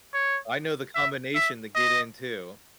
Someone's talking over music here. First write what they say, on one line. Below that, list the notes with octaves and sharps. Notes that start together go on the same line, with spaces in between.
I know the combination to get in too.
C#5
E5
E5
D#5